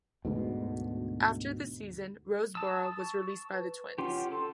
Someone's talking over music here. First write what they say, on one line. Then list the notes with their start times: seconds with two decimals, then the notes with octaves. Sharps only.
After the season, Roseboro was released by the Twins.
0.25 D2 G#2 B2
2.55 A5 D#6 E6
2.99 C#6
3.52 B4
3.98 C#4 F4 G4 F#5
4.32 A4 C6